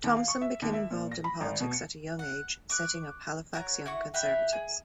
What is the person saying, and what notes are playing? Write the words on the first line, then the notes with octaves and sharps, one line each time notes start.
Thompson became involved in politics at a young age, setting up Halifax Young Conservatives.
D#2
F5
C#6
E5
D#2
E5
A#2
A#6
B5
G#1
B2
C#7
F#5
C#6 D6 F#6
F#4 A#4 C#5
E4 F#4 C#6
F#4 E5 G5 B5
G#4